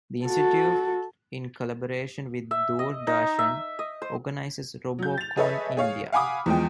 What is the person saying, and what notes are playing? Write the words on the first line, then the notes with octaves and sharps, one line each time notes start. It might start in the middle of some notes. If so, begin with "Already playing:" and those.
The institute, in collaboration with Doordarshan, organizes Robocon India.
F#4 A4
E5
D#5
D#4
E5
D#5
C5
F#3 G6
A6 F7
G#4 A4 B4 C#5 D#5 E5
G#4 C#5 F5
F5 F#5 G#5 B5 D6 D#6
E2 F3 G#3 G5